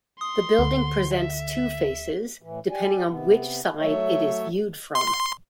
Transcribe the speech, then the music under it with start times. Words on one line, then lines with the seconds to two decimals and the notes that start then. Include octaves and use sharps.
The building presents two faces, depending on which side it is viewed from.
0.21 C6 D#6
0.59 D2 D3
1.16 E5
2.42 A2 E3
2.71 G4 D5 G#5
3.09 C3 B3
3.79 F#3 A3 C#5 E5
4.95 C6